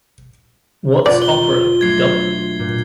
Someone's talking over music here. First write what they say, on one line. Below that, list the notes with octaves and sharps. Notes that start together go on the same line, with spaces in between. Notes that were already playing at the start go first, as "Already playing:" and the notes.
What's Opera, Doc?
E1 F4 D5 F#5 A6
G7
F#3 A3 D4 G#6 C7
A#2